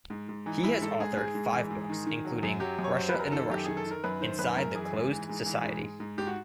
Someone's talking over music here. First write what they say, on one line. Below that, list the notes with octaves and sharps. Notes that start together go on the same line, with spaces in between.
He has authored five books, including "Russia and the Russians: Inside the Closed Society".
G#2
G#2
E3 D#4
G#2 E4
G#2 A4
G#2 G#4
G#2 G#4
G#2
E3
G#2
D#3
D#3
F#3
F#2
F#3 G4
F#2
C#5
F#3 C5
B4
F#2
A#4
D#3 A4
F#2 G4
D#3 G#4
A4
D#3
A#4
F#2 B4
D#3 C5
F#2 B4
F#2 A#4
E3 G#4
G#2
E3
G#2
E3
G#2
G#2
G#2
G#2 G4
F#4